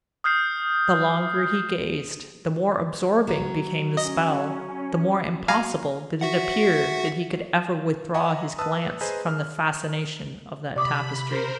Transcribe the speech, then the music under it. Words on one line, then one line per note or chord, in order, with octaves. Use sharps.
The longer he gazed the more absorbing became the spell--the more impossible did it appear that he could ever withdraw his glance from the fascination of that tapestry.
D#6 F6 G6 C7
F#3
C#4 D#5
F#3 F5 G#5 A#5
F#4 E5 F#5
D#5 E5 F#5 G#5 A#5 D#6
B4 A5 D#6 E6
G#4 B4 C5 D#5 G#5 A#5
F6
C3 D5 B5 D6 D#6
A#4 C5